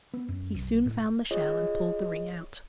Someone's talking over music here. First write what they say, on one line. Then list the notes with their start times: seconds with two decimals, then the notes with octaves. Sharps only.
He soon found the shell, and pulled the ring out.
0.13 B3
0.29 F#2
0.54 B1
0.86 A2
1.31 F4 G#4 C#5 D#5